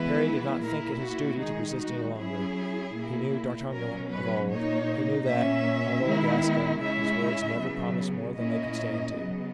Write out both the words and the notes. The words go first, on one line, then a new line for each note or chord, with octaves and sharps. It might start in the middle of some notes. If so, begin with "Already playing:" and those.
Parry did not think it his duty to resist any longer; he knew D'Artagnan of old; he knew that, although a Gascon, his words never promised more than they could stand to.
Already playing: E3 G#3 B3 E4 B4
A#2 A#3 E4 A#4
F#4
D#3 G#3 D#4 G#4
F#4
F#3 C#4 E4 G#4
A#2 A#3 E4
B2 F#3 C#4 A#4
B4
A#2 A#3 D#4 C#5
A#2 A#3 C#4 E5
D#3 G#3 B3 E4
C#3 G#3 C#4 E4 E5
C#3 F#3 B3
A#2 A#3 C#4 E4 D#5
C#3 F#3 B3